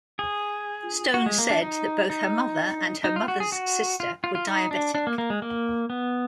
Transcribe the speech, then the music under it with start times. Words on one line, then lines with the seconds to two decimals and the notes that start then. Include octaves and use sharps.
Stone said that both her mother and her mother's sister were diabetic.
0.19 G#4
1.14 F#4
1.26 G#3
1.38 A#3
1.50 D4
1.62 D#4
2.10 D#4
3.04 D#4
3.16 F4
3.28 F#4
3.40 G#4
3.52 F#4
4.00 F4
4.24 F4
4.35 F4
4.47 D#4
4.71 D4
4.95 D4
5.07 A#3
5.18 A#3
5.30 G#3
5.42 A#3
5.90 B3